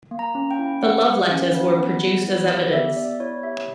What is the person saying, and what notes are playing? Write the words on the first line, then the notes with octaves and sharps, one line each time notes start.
The love letters were produced as evidence.
A#3
A#5
C#4
G5
E4
A#3 F#5
A#3
C#4
E4
B3
B3
E4
G4
B3 E5
B3 D5
E4 C#5
G4 E5